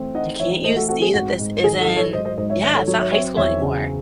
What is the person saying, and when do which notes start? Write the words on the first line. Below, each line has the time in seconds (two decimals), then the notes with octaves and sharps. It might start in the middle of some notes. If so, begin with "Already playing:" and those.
you can't you see that this isn't yeah, it's not high school anymore.
Already playing: E3 A3 C4
0.15 D#4 D#5 F#5
0.39 E3 C#5 E5
0.64 A3 C5 D#5
0.76 F#4 A4
0.89 C4 F#4 A4
1.02 G#4
1.14 G#2 F#4
1.39 G#2
1.63 D#3 G#4
1.80 F#4 A4
1.87 F#3
1.96 A4 C#5
2.13 G#2 C5 D#5
2.25 C5 D#5
2.37 G#2 C5 D#5
2.50 C#5 E5
2.62 D#3 C#5 E5
2.75 A4 C#5
2.87 F#3 A4 C#5
2.99 C#5 E5
3.11 C4 C#5 E5
3.37 E2 C#5 E5
3.62 C#3